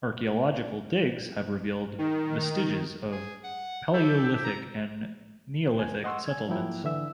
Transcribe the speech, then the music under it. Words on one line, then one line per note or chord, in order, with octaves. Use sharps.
Archaeological digs have revealed vestiges of palaeolithic and Neolithic settlements.
D#3
G#4
F#5
E4 G4 A4
A#5
G#5
D#5 F#5 C6 C#6 E6
G#5 G#6
G#2 F3 F#3 A#3 E4 G5
D3 E3 E5 E6